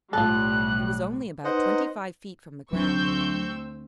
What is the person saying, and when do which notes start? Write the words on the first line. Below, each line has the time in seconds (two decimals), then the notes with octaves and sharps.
He was only about twenty-five feet from the ground.
0.13 B1 A2 G3 F4 A4 F#6
1.44 D#4 B4 C5 D#5 F#5
2.73 D2 F#3 C4 D4 C#6 E6 G6